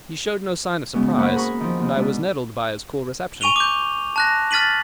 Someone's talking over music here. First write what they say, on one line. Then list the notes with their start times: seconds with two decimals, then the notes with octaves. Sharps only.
He showed no sign of surprise, and I was nettled by his cool reception.
0.95 F#2 C#3 G#3 B3 C#4
1.17 A#3 C5 F#5 B5 C#6
1.35 G#4 A#4 B5 C#6
1.60 D#3 F3
1.79 D#2
1.95 B2 G#3 D4 B4
3.41 G#5 C#6 D#7 F7 G7
3.56 D6 G6
4.16 A5 F#6 A#6
4.51 F6 A6 B6 D#7 F#7